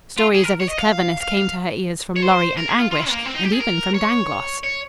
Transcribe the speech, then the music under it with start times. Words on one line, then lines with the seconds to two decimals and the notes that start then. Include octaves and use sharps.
Stories of his cleverness came to her ears from Lorry and Anguish and even from Dangloss.
0.18 F4
0.34 G#4
0.44 A#4
0.60 C#5
0.68 D#5
0.77 F5
1.21 F5
1.37 F5
2.16 C#5
2.23 C5
2.57 A#4
2.68 G#4
2.79 F4
2.91 F4
3.09 A#3
3.25 C4
3.34 D#4
3.43 G4
3.52 G#4
3.60 A#4
3.94 C#5
4.63 C#5